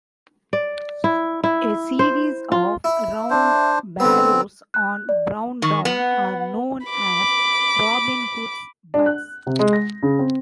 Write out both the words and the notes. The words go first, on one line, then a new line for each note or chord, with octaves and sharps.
A series of round barrows on Brown Down are known as Robin Hood's Butts.
D5
E4
E4
C5
F4
E4
D4 C5
D3 B3 C4
F#6
D5
D#3 C#6
B3 F#5
B5 D6
D4
F#6
C3
G#3
A#6
C#3
C4